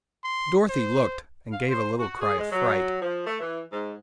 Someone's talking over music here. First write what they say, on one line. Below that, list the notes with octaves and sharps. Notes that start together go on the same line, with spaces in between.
Dorothy looked, and gave a little cry of fright.
C6
C5
F5
C5
F#4
G#4
G#3
F#3
F3
A3
E3
G#2